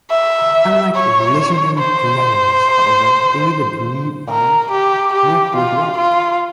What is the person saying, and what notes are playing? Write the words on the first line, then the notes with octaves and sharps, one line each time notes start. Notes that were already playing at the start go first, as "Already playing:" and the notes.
Unlike legendary dragons, however, they neither breathe fire nor hoard wealth.
E5
C#5
C5
A#4
G4
G4
F4
F4